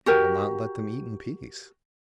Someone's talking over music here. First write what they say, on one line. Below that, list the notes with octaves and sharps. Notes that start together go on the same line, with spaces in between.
It will not let them eat in peace.
F#4 G4 A#4